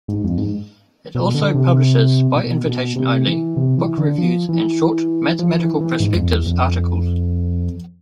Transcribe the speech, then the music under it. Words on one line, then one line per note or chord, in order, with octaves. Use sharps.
It also publishes, by invitation only, book reviews and short "Mathematical Perspectives" articles.
G#2
F2
G#2
B2
D3
C3
B2
B2
C3
E3
C3
E3
D3
F3
E3
F3
E3
E3
G#2
F2
E2
F2